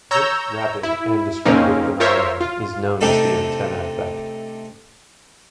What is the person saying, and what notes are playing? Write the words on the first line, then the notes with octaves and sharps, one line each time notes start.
This rapid and destructive phenomenon is known as the antenna effect.
C#5 A#5 E6 G6
E4
F2 C#3 A#3 C4 C#4 D#4
F4 A#4 C5 C#5 E5
F4
C3 A3 C4 D4 D#4 A4